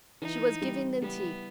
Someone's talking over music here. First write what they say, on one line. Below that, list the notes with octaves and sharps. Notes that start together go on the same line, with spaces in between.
She was giving them tea.
E3 D#4
G3
G3 B3